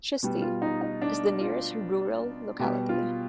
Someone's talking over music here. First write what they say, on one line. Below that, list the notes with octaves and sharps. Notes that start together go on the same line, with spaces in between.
Chisti is the nearest rural locality.
B2 G3
F4
D#4
D#4
D4
F4
B2 G3 G4
F4